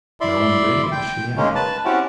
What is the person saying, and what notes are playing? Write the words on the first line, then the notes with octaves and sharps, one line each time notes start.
"No, indeed, she ain't."
E4 D5 E5 B5 C6
G5
D#3 G#3 A#3 C#4
B4 A5
C4 C#4 E4 F#4 G4